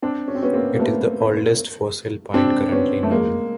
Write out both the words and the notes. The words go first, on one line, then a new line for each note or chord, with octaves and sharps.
It is the oldest fossil pine currently known.
C4 D4
C#4
C4
B3 C#4
A#3 C4
A#3
A3 B3
C4 D4
B3 C#4
A3
G#3 A#3